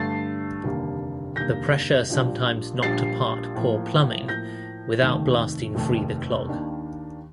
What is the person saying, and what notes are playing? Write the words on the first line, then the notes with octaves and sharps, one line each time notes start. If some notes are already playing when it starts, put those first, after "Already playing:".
The pressure sometimes knocked apart poor plumbing without blasting free the clog.
Already playing: G2 D3 A3 A6 C7
F1 D#2 D3 G3 A#3
F1 D#2 D3 G3 A#3 G6 A#6
A#1 A#2 G3 D4
A#1 A#2 G3 D4 A6 C7
A2 F3 A#3
A2 F3 A#3 G6 A#6
F1 D#2 D#3 A3
F1 D#2 D#3 A3
D#2 D#3 A#3 D4